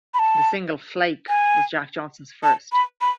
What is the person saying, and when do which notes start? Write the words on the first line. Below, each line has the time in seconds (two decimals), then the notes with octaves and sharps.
The single "Flake" was Jack Johnson's first.
0.14 B5
0.19 A5
1.29 G#5
2.44 A5
2.72 B5
3.01 B5